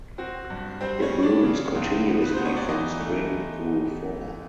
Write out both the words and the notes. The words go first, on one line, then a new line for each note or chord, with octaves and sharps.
It blooms continuously from spring through fall.
C4 F#4
G2
G3 C4 C5
C#4 C#5
G3
D4 D5
C#3
C#2
B3
B4
B3 C5
C#5
D5
E3 D#4 D#5
A3